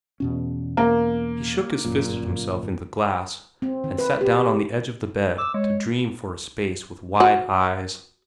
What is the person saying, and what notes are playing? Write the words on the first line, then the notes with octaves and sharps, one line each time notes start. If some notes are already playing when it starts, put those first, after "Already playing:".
He shook his fist at himself in the glass, and sat down on the edge of the bed to dream for a space with wide eyes.
E2 B2 C#4
A#3
G1 F#2 A#2
C4
D#3
B4
G4
D6 E6
G#3 C#5
F#4